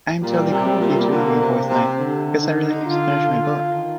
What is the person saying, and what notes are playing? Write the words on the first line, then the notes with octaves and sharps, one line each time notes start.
I am totally cool with you two having a boys' night because I really need to finish my book.
A#2 G3
C3
A#2
C3
A#2
D3 A#3
C3
C4
C3
D3
D#4
F4
F4
D#3